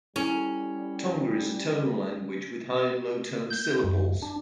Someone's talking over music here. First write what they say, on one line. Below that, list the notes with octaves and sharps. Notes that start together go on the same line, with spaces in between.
Tonga is a tonal language, with high and low-toned syllables.
G3 C#4 E4 A4
G6
F#2
D4